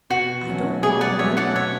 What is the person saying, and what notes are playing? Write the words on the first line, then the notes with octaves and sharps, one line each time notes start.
"I don't want one."
B2 F#4
F#3 A3 C#4
B2 G#4
D5 F#5
F#3 A3 C#4 C#5 E5
D5 F#5
B2 C#5 E5